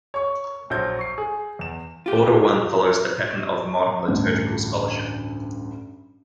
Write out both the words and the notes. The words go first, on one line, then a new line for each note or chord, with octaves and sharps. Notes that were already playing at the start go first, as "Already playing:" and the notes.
Order One follows the pattern of modern liturgical scholarship.
C#5 C#6
A#1 F#3 C5 G6 G#6
C#6 C7
G#4
E2 E7
F4 G4
A1 D2 G2